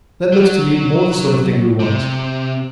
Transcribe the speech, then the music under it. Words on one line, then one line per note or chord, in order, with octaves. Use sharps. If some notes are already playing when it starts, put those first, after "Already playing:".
That looks to me more the sort of thing we want.
F#3
C3